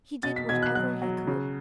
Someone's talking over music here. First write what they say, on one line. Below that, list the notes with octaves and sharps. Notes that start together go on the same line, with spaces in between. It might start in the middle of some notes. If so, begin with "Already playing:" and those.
He did whatever he could.
B2 A6
B6
B2 G#6
F#6
F#3 F#6
F#3
C#3